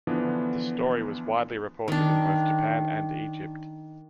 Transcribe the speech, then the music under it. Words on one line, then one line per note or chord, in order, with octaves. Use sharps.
The story was widely reported in both Japan and Egypt.
D3 E3 F3 B3 D4
D#3 D4